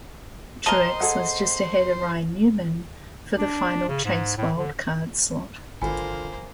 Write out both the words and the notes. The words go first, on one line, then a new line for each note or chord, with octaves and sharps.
Truex was just ahead of Ryan Newman for the final Chase wildcard slot.
C4 A#4 C5 D#5 A5
G#4 A4 F#5
D4
C#3
G#2
A2
D3
G#1 D3 A#3 F4 C5 G#5 B5